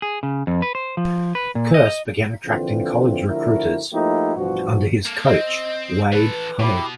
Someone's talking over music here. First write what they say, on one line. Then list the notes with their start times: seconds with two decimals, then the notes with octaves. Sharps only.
Kearse began attracting college recruiters under his coach Wade Hummel.
0.02 G#4
0.23 C#3
0.47 F2
0.62 B4
0.75 C5
0.97 F3
1.35 B4
1.55 A#2
1.74 D#5
2.46 A#1 D3 E3 C4 F4
3.28 D3 F3 A3 E4 F#4 A#4
3.93 F3 A3 A#3 D#4 E4 G4
4.37 A1 G2 B2 F3 F#4
5.06 A#3 A4
5.27 C4 D#5
6.13 E3 A4 B4
6.60 B2 E4 G4